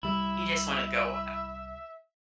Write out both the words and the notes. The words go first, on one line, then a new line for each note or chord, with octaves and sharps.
You just wanna go, uh,
C2 G3 E4 E5